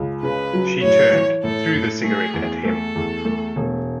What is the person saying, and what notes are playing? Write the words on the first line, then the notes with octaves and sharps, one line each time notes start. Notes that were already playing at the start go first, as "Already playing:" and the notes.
She turned, threw the cigarette at him.
Already playing: C#2
C#3 B4
F#3
A2 C#5
E3
A2 A4
A2
A3 G#4
E2
A3 A4
E2
A3
E1